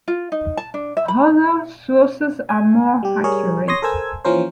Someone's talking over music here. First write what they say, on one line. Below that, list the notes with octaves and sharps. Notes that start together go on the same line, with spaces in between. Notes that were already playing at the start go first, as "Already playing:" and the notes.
Other sources are more accurate.
F4
D#4
A5
D4
E5
B5
G#5
G3 G4
G3 G#4 A#4 C#5
C#5 C6 D#6 A#6
A4 A#4 C5 G#5 E6 G#6
E3 F3 A#3 C#4 A#4 C5